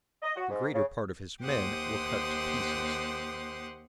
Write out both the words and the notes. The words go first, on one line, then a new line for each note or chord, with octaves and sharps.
The greater part of his men were cut to pieces.
D#5
F#4
G#2
C#3
D#2 G4 C5 F#5 C6 D#6